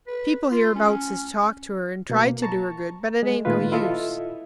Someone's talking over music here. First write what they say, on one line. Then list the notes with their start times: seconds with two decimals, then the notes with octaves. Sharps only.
People hereabouts has talked to her and tried to do her good, but it ain't no use.
0.07 B4
0.51 F4
0.75 C#4
2.10 B2 A#3
2.42 A5 A#5 C#6
3.23 G#3
3.45 A#2 D#3 A3 F4 B4
3.72 E4 F4 A4 D#5 E5